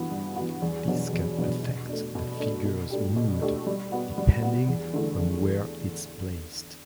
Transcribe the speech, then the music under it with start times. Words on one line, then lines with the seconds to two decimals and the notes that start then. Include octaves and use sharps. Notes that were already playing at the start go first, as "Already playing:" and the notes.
This can affect the figure's mood, depending on where it's placed.
Already playing: G2 E3 B3 F#4
0.11 G2
0.36 E3 B3 F#4
0.62 E2
0.88 B2 F#3 B3 D4
1.13 E2
1.38 B2 F#3 B3 D4
1.63 B2
1.89 A3 D4
2.15 B2
2.40 A3 D4
2.65 B2
2.90 A3 D4 G4
3.16 B2
3.42 A3 D4 G4
3.67 G3
3.92 B3 F#4
4.18 G3
4.43 B3 F#4
4.68 E2
4.94 D3 A3 E4
5.19 E2